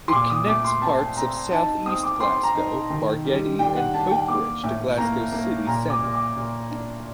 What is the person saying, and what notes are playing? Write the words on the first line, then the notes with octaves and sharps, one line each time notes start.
It connects parts of south east Glasgow, Bargeddie and Coatbridge to Glasgow city centre.
C6
A#2 D6
D#6
A3 D6
C6
C4 A5
C4 A#5
D#4 A5
C4 D#6
D6
C4 C6
A#5
D#4
D#3
G3
D4 G5
F#5
D4 A5
G5
A#3 D6
A2
A#3 A#5
A#3
A#2 A#5
D6
A#2
D6
A#2
D4